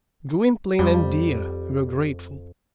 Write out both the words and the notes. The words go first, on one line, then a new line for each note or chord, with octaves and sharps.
Gwynplaine and Dea were grateful.
F2 G3